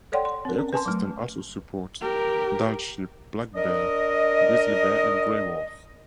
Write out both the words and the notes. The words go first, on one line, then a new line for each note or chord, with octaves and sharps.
The ecosystem also supports Dall sheep, black bear, grizzly bear, and gray wolf.
A4 C#5 D5 F#5 G5 C6
C6
C4 A#4
C#4
B4 G#5 A5 C6
F#3 A3
G4 A#4
D4 A#4 D#5